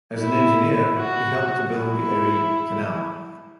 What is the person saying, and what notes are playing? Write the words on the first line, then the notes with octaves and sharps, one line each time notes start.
As an engineer, he helped to build the Erie canal.
E4
F#4
E4